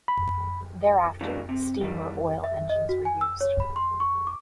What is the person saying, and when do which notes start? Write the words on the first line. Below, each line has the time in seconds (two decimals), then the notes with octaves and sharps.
Thereafter steam or oil engines were used.
0.08 B5
1.21 C#3 E3 F#3 G#3 A#3 D4
1.49 C3
1.81 D#2 D#3 E3 G3
2.44 E5
2.69 D#5
2.89 F#4
3.05 G#5
3.21 E6
3.41 C#5
3.60 B5
3.76 C6
4.00 C#6
4.27 D6